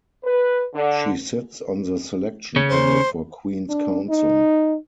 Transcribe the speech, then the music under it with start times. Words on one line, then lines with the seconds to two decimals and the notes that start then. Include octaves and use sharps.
She sits on the Selection Panel for Queen's Counsel.
0.24 B4
0.74 D3
2.56 C#3 C#4
2.69 C5
3.69 D4
4.10 D#4